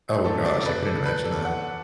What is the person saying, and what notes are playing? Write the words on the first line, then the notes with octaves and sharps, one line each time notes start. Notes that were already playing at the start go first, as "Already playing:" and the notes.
Oh gosh, I couldn't imagine that.
F#2 F#3 A3 A4
D5
B4
A4
B4
A4
F#5